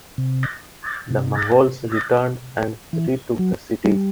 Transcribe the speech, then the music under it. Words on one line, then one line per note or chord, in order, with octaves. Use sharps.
The Mongols returned and retook the cities.
C3
C3
E3
F#3
G3